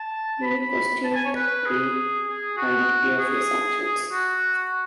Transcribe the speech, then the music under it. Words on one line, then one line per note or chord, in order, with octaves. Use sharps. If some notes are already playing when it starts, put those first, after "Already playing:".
Many questioned the validity of his actions.
Already playing: A5
B5
A5
G#5
C#5
B4
G#4
G#4
F#4
G#4
F#4